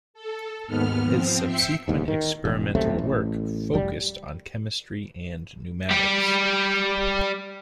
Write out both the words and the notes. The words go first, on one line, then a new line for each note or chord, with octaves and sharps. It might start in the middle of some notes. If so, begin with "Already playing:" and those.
His subsequent experimental work focused on chemistry and pneumatics.
A4
D#2 G#2 B3 F6
F3 C4
E5 G5 C7 C#7
E1 D#2 G#2
D#3
E1
D#1 B1 C3 A3
A1
F1 G3
G3 G4